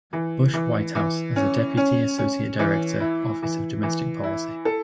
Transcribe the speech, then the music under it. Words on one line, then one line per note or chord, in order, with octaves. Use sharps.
Bush White House as a Deputy Associate Director, Office of Domestic Policy.
E3
E3
E3
C#4
C#4
C#4
E3
E4
E3
E3
E4
A4